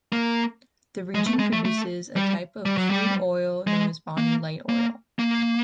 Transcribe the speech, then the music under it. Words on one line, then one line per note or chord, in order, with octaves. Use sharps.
The region produces a type of crude oil known as Bonny Light oil.
A#3
G#3
A3
G#3
A3
A3
G3
G3
F#3
G3
G#3
A#3
A#3
A#3